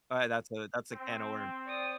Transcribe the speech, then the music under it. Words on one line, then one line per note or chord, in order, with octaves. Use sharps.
alright, that's a that's a can of worms.
C4
D5 D#6